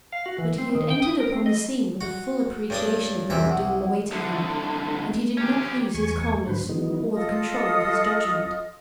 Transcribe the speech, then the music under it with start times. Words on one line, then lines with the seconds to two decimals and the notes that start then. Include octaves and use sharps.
But he had entered upon the scene with a full appreciation of the ordeal awaiting him and he did not lose his calmness, or the control of his judgment.
0.12 F5
0.26 F#4
0.38 E3
0.58 C4
0.75 D#3
0.90 G5
1.02 D#6
1.20 A#4
1.33 C4
1.46 D#5
2.01 F#4
2.70 G2 D4 C#5 D#6
3.30 E2 C3 E5
3.50 C2 F#3 F#5
4.11 C2 D3
5.37 C#4 G4
5.94 E2 G#5 C#6
6.47 G#2 D3 F#3 B4 C5
6.69 D#3 E3 F#3 G#3 B3 D#4
7.12 F4 A4 D#5 D#6